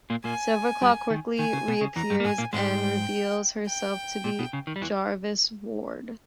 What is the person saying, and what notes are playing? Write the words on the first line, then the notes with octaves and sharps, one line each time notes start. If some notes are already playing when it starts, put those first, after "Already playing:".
Silverclaw quickly reappears and reveals herself to be Jarvis' ward.
A#2 A#3
A#2 A#3 G#5
G2 G3
D#3
D#3 G#5
C#3
B2
C#3
E2 E3 A#5
G2 G3
A#3
G#2 G#3 G#5
A#2 A#3
G#2 G#3 G5
G5
A#2
B2
C#3
D#3
G3
E2 E3